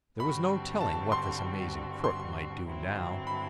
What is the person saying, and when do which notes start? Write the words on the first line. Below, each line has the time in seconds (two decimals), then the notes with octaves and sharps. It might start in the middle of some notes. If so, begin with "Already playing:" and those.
There was no telling what this amazing crook might do now.
0.19 G2 D3 G3 C4 F#4 B5
0.81 A5
1.12 C6
2.04 C6
2.65 G2 D3 F#3 C4 E4
3.27 B5